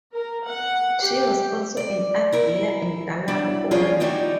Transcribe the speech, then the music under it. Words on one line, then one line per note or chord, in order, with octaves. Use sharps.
She was also an art dealer and gallery owner.
A#4
F#5
G4
D5
E4 A#4
F#3 D4 E4
F3 C#4 F4 G#4 C#5 D5
G3 A3 D#4 E4 F#4 G4